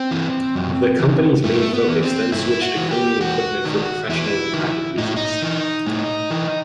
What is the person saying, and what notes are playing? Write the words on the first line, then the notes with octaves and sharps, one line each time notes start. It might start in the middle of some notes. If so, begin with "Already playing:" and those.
The company's main focus then switched to cleaning equipment for professional and private users.
Already playing: C4
E3
F#2
E3
G2 A3
B3
E3
C4
G2 E4
F#4
E3
G4
E2 F#4
D#3
E2 E4
D#3
A2 D#4
E4
D#4
E3
A2
E3